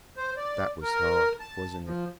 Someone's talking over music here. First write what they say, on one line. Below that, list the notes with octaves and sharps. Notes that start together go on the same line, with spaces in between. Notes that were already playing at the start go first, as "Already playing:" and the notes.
That was hard, wasn't it?
C5
D5
A#4
A5
F3